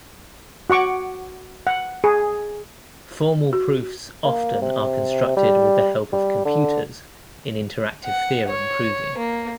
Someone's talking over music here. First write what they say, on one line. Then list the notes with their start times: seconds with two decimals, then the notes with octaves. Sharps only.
Formal proofs often are constructed with the help of computers in interactive theorem proving.
0.70 F#4 F#5 C#6 D6
1.67 F#5
2.04 G#4
3.53 F#4
4.24 A#3
4.62 C3
5.37 G3
6.13 G3
6.45 D3
8.05 F#5
8.48 C#5
9.18 A#3